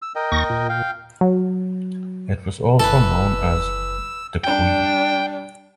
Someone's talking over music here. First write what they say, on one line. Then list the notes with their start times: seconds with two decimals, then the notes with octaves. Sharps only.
It also was known as The Queen.
0.02 E6
0.15 A#4 D#5 G5
0.32 D#2 C#6 A#6
0.50 A#2
0.69 F5 G5
1.21 F#3
2.79 F#1 E3 A4 B4 A5 E6
4.44 G3 D4 G5